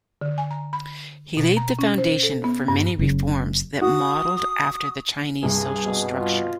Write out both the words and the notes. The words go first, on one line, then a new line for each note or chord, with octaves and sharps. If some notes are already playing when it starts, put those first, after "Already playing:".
He laid the foundation for many reforms that modelled after the Chinese social structure.
D3
G#5
A#5
B5
B2
A#5
C#4
C5
A4
B3
G2
F#1 C#3
F#4 D#6
C2 G2 G#4
B2
F4